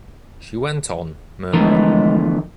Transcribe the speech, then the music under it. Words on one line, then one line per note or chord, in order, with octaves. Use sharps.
She went on, murmuring.
D3 E3 F3 G#3 A3 B3 A#4